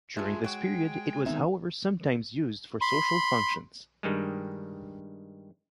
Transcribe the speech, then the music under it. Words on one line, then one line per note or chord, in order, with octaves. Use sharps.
During this period it was however sometimes used for social functions.
G#3 F4 G#4 A4 E5
F#3 F#4 G5
D#3 B3 C4 D#4 E5
B5 C6
G2 D#3 G3 G#3